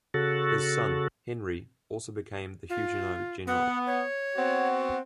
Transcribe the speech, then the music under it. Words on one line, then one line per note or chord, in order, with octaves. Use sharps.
His son, Henri, also became a Huguenot general.
C#3 F#4 A4
F4
B3 F#5
C#5
B3 C4 F#4